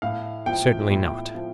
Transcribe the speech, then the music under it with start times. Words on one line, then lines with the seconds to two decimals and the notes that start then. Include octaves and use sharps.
Certainly not.
0.02 A2 F5
0.46 F3 G5
0.90 A2
1.35 F3